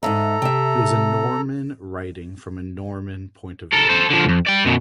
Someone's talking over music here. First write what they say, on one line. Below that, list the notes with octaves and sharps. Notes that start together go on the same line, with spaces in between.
He was a Norman writing from a Norman point of view.
F2 G#2 A4 E5 A#5
C3 G4 E5
A4 A#4
A4 C5
D3 F3
C2 F2
D5 G5
F#2 B2